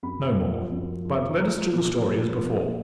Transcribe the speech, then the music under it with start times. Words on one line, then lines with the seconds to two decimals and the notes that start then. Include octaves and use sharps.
No more; But let us to the story as before.
0.03 F#2 B5
0.36 F3
0.71 F#2
1.05 F3
1.39 F3 A#5
1.73 A#2
2.08 F3
2.42 A#2